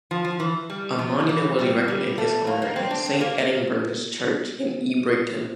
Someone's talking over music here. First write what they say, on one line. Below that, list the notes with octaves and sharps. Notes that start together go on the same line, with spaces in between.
A monument was erected in his honour at Saint Eadburgha's Church in Ebrington.
F3
F3
E3
G3
F3
E3
G3
G3
A3
A#3
A#3
C4
D4
C4
A#3